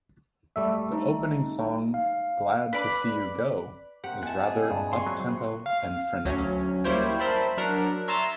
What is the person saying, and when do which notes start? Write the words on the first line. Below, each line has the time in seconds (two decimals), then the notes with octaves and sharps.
The opening song, "Glad to See You Go", is rather uptempo and frenetic.
0.56 G3 A3 E5
0.93 D#4
1.94 F5
2.73 B4 D5 B5
4.04 C3 A#3 C4 G4 F#5
4.23 F4 D#5 E5 F#5 G#5 A5
4.43 G#4
4.71 G2
4.93 G3 C6 C#6
5.07 F#3 B4 C5
5.66 F5
6.25 D2 F#3 C#4
6.84 G3 A#3 E4 C5 C#5 G5
7.20 A#4 C5 E5 A5 B5
7.57 F#3 D4 A#4 F#5
8.08 C#5 E5 A#5 C6 E6 A6